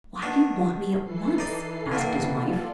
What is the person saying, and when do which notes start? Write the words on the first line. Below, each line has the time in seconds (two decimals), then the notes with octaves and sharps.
"Why do you want me at once?" asked his wife.
0.22 B2 D#3 D4
1.01 E3 A4 C7
1.38 D#4 D5 D#6
1.92 G2 B2 A#3
2.36 F4 A4 D5